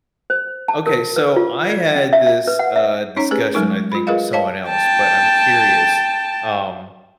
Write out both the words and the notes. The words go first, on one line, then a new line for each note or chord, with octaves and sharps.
Okay. So I had this, uh, discussion, I think, with someone else, but I'm curious, um
C5
A5
A#4
B4
F4
D5
C#4
E5
E5
B4
F#5
E5
C#4 D#4 C#5 A#5
A3 G4 G#4 B4
F#3 G#3 A3 D#4 A#4
F4 B5
F4 G#4 A#4 B4 D#5 F5
C#5 D#5 F5 A5
G5 A5